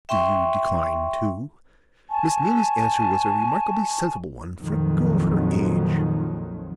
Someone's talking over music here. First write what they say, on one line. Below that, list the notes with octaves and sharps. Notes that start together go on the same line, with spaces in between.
Do you decline too?' Miss Neelie's answer was a remarkably sensible one for a girl of her age.
E5 G5 C6 C#6
G#5 A5 C#6
A#1 F2 D#3 F3 F#3